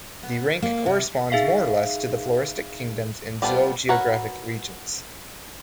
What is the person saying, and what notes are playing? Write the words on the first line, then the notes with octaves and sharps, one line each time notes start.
The rank corresponds more or less to the floristic kingdoms and zoogeographic regions.
B3
A#3
C3
D#4 G#4 E5 F5 B6 C7
G3 B3 F4 A4 C5
F#4 A#4 B4 C#5 F#5